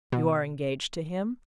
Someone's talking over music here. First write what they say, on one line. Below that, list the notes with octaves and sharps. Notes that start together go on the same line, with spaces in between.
"You are engaged to him?"
B2